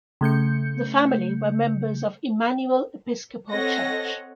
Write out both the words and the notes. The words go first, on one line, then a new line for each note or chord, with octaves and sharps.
The family were members of Immanuel Episcopal Church.
C#3 A3 G6 C#7
C4 A4 C#5 D#5 F#5 A#6